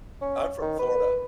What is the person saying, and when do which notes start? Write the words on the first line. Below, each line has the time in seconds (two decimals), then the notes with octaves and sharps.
I'm from Florida.
0.21 C#4
0.61 D#3
0.79 B4